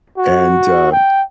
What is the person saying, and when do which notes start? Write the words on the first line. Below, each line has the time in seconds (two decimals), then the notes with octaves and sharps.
and, uh,
0.18 F#4
0.92 G5